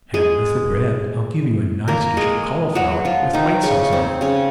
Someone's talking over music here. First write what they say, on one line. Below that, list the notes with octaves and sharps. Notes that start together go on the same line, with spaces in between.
"And with the bread, I'll give you a nice dish of cauliflower with white sauce on it."
G#3 G#4
A#3 A#4
G#3 G#4
F#3 F#4
F3 F4
D#3 D#4
C#3 C#4
C4
C#3 C#4